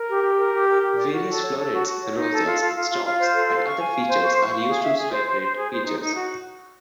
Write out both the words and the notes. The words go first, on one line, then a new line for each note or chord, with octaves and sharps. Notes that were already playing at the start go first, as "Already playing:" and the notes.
Various florets, rosettes, stops, and other features are used to separate features.
Already playing: A#4
G4
G4
A#4
G4
A#4
G4
D5
F#4
A4
C#5
A4
F#4
F#4
C#5
D#4
A4
F4
F4
F4
F4
F4
C5
A4
F5
C#6
G#5
F5
C5
C#6
C#6
F5
G#4
E5
G#4
C5
C5
C5
G#4
C5
D#4
D#4
F#4